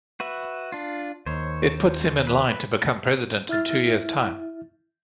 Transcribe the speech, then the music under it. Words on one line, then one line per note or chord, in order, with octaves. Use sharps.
It puts him in line to become president in two years' time.
F#4 B4 E5
D4 F4
D#2 C5 C#5
B4
E4 E5 F6 A6